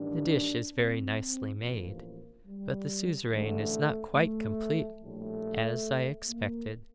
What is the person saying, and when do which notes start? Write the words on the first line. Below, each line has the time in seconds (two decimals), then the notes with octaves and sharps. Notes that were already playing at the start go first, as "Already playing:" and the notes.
'The dish is very nicely made, but the Suzeraine is not quite complete--as I expected.'
Already playing: A1 G2 D#3 G3 D4
0.76 C4
1.61 A1 G2 F3 A#3
2.46 G3
3.30 A1 G2 D3 A3
4.16 A3
5.01 A#1 A2 G3 A3
6.28 A#3